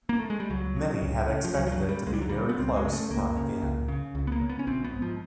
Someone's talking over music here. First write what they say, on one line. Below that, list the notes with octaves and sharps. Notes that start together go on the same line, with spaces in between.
Many had expected it to be very close run again.
A#3
A3
G#3
G3
C#2 F#3
C#3
C#2
C#3
F3
C#2 F#3
F3
F#3
C#3
G3
C#2 G#3
G3
F#3
C#3 G3
B3
C#2 C4
G#3
C#3
A3
C#2 A#3
C#3
C#2
C#3
C#2
B3
A#3
C#3
B3
C#4
A#1 C4
B3
G#2
F3